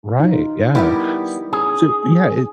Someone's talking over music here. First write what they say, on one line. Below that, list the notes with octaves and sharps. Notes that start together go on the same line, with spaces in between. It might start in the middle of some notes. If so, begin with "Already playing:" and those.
Right. Yeah. S So yeah, it's
D#4 F4
G3 B3 E4 G4 A#4
C#4 G#4